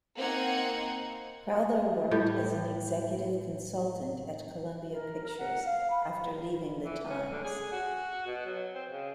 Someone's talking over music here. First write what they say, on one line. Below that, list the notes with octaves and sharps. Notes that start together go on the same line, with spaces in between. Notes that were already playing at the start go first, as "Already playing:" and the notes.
Crowther worked as an executive consultant at Columbia Pictures after leaving the "Times".
A#3 C4 D#4 F#5 G#6
A2 G3
A#4
F#5
F5
B5
E3
C#4
D3
G#4
F#4
B2
F#3
C4
C#3